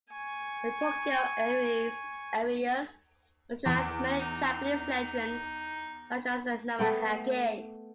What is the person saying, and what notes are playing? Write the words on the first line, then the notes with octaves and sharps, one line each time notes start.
The Tokyo areas utilize many Japanese legends, such as the Namahage.
G#5 C#6
E2
D#4
A3 B3 G5